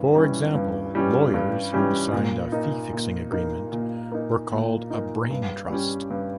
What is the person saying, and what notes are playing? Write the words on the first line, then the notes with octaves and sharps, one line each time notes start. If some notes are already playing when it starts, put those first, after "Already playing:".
For example, lawyers who signed a fee-fixing agreement were called a brain trust.
Already playing: G2 E3 C#4
E3 G3 C#4 G4
G2
E3 G3 C#4 G4
G2
E3 G3 C#4 G4
A#2
A#3 D#4
A#2
A#3 D#4
A#2
A#3 D#4
A#2
A#3 D#4
G2
G3 C#4 G4
G2